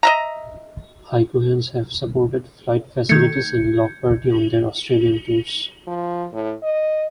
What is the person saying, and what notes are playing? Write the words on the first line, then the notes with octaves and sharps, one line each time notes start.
Haiku Hands have supported Flight Facilities and Bloc Party on their Australian tours.
D#5 E5 A#5
D#3 A3 G6 G#6 C#7
F3
A2
D#5